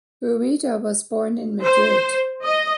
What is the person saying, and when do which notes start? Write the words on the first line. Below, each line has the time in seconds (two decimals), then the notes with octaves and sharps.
Rueda was born in Madrid.
1.63 C5
2.44 D#5